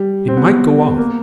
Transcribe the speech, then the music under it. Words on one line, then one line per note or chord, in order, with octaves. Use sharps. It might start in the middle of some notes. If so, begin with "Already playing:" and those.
"It might go off!"
Already playing: G3
C4
B3
A#3